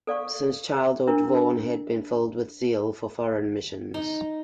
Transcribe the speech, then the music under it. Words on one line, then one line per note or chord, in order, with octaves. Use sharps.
Since childhood, Vaughan had been filled with zeal for foreign missions.
A4 D5 F5 C#6
D4 E4 A#4
D#4